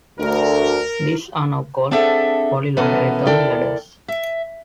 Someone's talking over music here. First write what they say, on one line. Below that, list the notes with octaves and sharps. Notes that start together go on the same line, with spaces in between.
These are now called polylogarithm ladders.
D2 A#4
C4 D4 G#4 A4 E5 F#5
B2 E3 B3 C#4 A4 A#4
D#2 E4 A4 A#4 D5 G5
E5